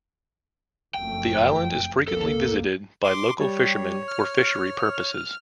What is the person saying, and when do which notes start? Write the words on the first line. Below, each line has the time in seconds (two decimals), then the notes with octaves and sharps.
The island is frequently visited by local fishermen for fishery purposes.
0.94 F#1 F2 A3 G5
2.08 F#1 C#2 A#3 A4
3.04 C6 D6
3.40 G3 C#5
4.08 F6